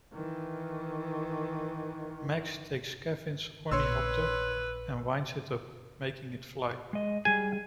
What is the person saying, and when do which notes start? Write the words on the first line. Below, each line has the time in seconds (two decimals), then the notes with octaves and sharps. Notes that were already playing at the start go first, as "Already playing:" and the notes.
Max takes Kevin's ornithopter and winds it up, making it fly.
0.13 D#3 E3
3.71 A#1 B4 C#5 C6 E6
6.93 G#3 D#5
7.25 G3 G#4 G#5